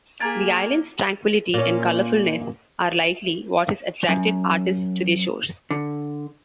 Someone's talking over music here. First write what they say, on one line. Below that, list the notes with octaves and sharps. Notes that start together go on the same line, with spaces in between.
The islands' tranquility and colourfulness are likely what has attracted artists to their shores.
A#3 G4 G#4 A#5 G#6 A6
A#2 C#4
F#2
D3